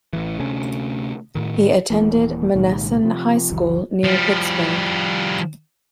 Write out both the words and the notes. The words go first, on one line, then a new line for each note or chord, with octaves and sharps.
He attended Monessen High School near Pittsburgh.
A1 E3
D2 C3 A3 C#4
A2 D#3
D#1 E3 A#3
C2 A#2 D#3 G#3
C3 F3
F#1 C#2 E3 F#3
F3 G3